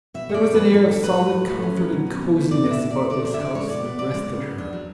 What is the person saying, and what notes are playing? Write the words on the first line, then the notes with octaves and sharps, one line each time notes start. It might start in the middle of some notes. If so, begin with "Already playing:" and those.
There was an air of solid comfort and cosiness about this house that rested her.
B2 E5
A3
D5
B2
F#3 B4
A2 A4
D4
A2 B4
G#3
A2
A3
C#4
F#3
B2
C#4
B2
A3
B2 D5
D4
E5
B2
A3 D5
D3 D5
D4 D5
E5
D3 D5
G#3 C#5
B2 D5
B3
B2 D5
G#3
C#3
B3
D4
F#3